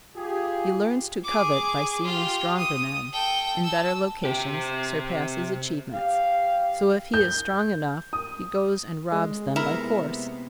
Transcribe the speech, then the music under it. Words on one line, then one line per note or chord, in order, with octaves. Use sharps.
He learns to covet by seeing stronger men, in better locations, surpass his achievements, so if he is strong enough he goes and robs them by force.
F4 G4 G#4
G#4 D6
F4 G4
D#6
A4 G5
A5 E6
C3 G4
G4 F5
G6
D#6
G#3
C3 A#3 B3 E4 A#4